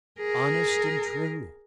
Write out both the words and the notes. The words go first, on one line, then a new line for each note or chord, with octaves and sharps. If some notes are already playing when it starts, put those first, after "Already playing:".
"Honest and true."
G#4 A#4